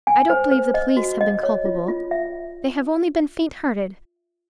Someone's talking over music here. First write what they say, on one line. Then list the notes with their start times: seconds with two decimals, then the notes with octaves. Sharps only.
I don't believe the police have been culpable; they have only been faint-hearted.
0.07 G#5
0.30 C5
0.51 C5
0.74 D#5
0.97 F#4
1.21 D#5
1.43 C#5
1.65 F4
1.88 F4
2.11 E5